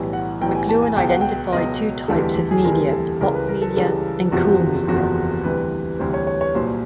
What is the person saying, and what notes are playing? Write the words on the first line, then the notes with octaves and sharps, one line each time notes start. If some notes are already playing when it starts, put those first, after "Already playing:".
McLuhan identified two types of media: "hot" media and "cool" media.
Already playing: B1 A2 E3 G3
F#5
B1 A2 E3 G3 G5
G#5
A5
G#5
C#2 B2 F#3 G5
F#5
G5
C#2 B2 F#3 D#5
E1 D2 C3 E3 G3 A4
G4
G4
G#4
E1 D2 C3 E3 G3 A#4
A4
C#2 C#3 E3 G3 A#4
B4
A#4
A4
C#2 C#3 E3 G3 A4
F#1 E2 C3 F3 F#4
F#1 E2 C3 F3 F#4
D2 C3 E3 G3 B4
D2 C3 E3 G3 C5
C#5
C#5
C#5
C2 A#2 F#3 C5